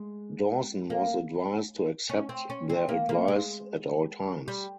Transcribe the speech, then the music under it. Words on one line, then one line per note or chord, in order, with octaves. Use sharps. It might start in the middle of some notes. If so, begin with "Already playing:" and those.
Dawson was advised to accept their advice at all times.
Already playing: G#3
A#3
C#4
C4
C#4
C4
A#3
A#3
G#3
G3